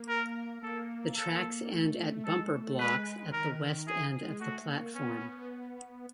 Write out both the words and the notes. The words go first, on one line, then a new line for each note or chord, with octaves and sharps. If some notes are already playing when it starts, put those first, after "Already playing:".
The tracks end at bumper blocks at the west end of the platform.
Already playing: A#3
A#4
A#3 A4
A4
A3
G#3 A4
A3
G#3 B4
D#3 A#4
E3 G#4
G#3
A3 F#4
A#3
B3 C#4